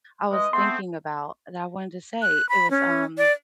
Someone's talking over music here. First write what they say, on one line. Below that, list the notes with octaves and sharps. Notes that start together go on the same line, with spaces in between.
I was thinking about that I wanted to say. It was, um
E3 G#3 D#5
A3 B3 C4 C6
F#6
B5
C#4
D5